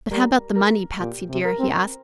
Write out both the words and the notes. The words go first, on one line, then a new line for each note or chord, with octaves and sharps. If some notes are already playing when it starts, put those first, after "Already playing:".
"But how about the money, Patsy dear?" he asked.
G3 A#4
A#4
A#2 G4
C3
A#4
C4